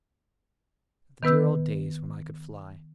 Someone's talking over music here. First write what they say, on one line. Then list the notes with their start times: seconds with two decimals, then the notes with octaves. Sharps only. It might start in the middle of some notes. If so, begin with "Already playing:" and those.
"The dear old days when I could fly!"
1.23 D#3 B3 B4 E6 G6